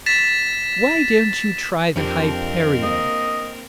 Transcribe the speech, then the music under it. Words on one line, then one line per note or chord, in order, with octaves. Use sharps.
"Why don't you try the Hyperion?"
A6 B6 E7
F2 C4 D4 G4 A#4
A#3 D#5